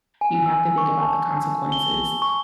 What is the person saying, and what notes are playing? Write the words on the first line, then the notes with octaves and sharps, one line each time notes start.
you have to think about the consequences,
G#5
E6
C#6
A5
G7
C#6